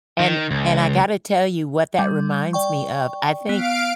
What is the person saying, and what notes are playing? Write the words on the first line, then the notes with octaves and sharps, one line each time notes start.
And and I gotta tell you, what that reminds me of, I think
D#3
C#2
G3
D5 G5 C#6
B3 F5 D7